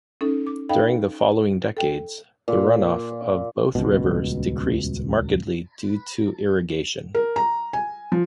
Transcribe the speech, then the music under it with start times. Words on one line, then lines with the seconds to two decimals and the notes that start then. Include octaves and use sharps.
During the following decades, the runoff of both rivers decreased markedly due to irrigation.
0.21 C#4 D#4 A4
0.47 D6
0.69 D#4 A4 D#5 F5 G5 B5
1.77 A4 G5
2.48 A#2
3.75 D#1 C#2 B2
7.15 A#4
7.36 A#5
7.73 G#5
8.12 F3